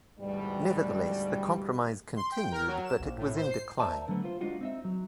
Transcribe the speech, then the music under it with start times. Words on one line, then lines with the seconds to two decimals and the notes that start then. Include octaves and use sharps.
Nevertheless, the Compromise continued but it was in decline.
0.19 D2 G#2 B2 E3 G3
2.16 C6
2.32 G5
2.52 A#4
2.67 F#3
2.84 E7
3.00 A#1
3.17 A2
3.36 C5
3.50 C7
3.80 A#4 C5 D5 E5 G#5 A5
4.08 D3 F#3 A3 B3
4.24 F4 C5
4.41 G#3 D4 D#4 F4 F#4
4.61 C4 D#4 E5
4.84 F#3